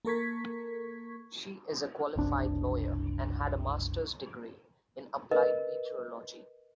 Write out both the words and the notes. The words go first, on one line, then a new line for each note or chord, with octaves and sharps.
She is a qualified lawyer and had a master's degree in Applied Meteorology.
A#3 A4 A#4 C#6 G#6 B6
F#1 C2 D4
A#4 B4 D#5